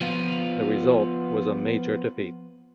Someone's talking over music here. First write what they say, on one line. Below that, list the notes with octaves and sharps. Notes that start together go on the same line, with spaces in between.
The result was a major defeat.
F3 B3 F4